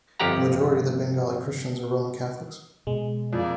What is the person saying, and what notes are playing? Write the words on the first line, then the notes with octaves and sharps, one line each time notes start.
The majority of Bengali Christians are Roman Catholics.
G1 F2 F3 G4 F#5 A#5
B2 G#3
F2 A#3 D5